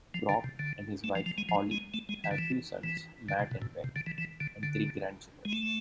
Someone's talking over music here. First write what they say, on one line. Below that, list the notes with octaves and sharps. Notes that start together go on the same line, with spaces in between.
Grobe and his wife Holly have two sons, Matt and Ben, and three grandchildren.
F3
D3
C3
D3
A3
F3
F3
G#3
F3
G#3
A3
G#3
E3
D3
E3
E3
D3
C3
B2
A2
C3
D3
E3
E3
D3
D3
G#3
A3